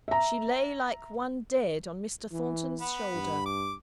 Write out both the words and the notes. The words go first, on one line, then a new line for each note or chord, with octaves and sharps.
She lay like one dead on Mr. Thornton's shoulder.
E5 A#5
E3
B3 B5
G2
D6